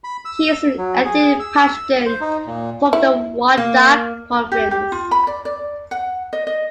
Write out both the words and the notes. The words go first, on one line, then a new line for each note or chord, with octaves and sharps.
He is an ethnic Pashtun from the Wardak province.
B5
E6
F#3
G#4
E6
C5
D#4
A#2
E4
A#3
G4
G4
F4
B5
D5
D5
F#5
D#5
D#5